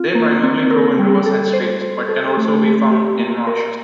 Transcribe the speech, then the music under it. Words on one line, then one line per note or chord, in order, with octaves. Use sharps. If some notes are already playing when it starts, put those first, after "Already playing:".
They primarily grow in rivers and streams, but can also be found in marshes.
Already playing: C4 F4
A#3
C4
A#4
G3
A4
C5
C5
A4
A3
A3
G4
A#3
A#4